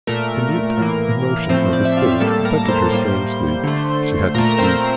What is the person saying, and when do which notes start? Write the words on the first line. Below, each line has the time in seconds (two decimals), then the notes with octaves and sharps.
The mute emotion of his face affected her strangely. She had to speak.
0.07 A#2 A3 A#4
0.78 A2 E3 A#3
1.49 A2 F3 A3 C4 C5
1.73 D5
1.85 E5
1.97 F4 F5
2.20 A2 G3 A#3 A4 A5
2.45 A#4 A#5
2.68 C5 C6
2.92 A2 G3 A#3
3.63 D3 A3
4.34 A#2 A3 A#4 A#5
4.59 C4 C5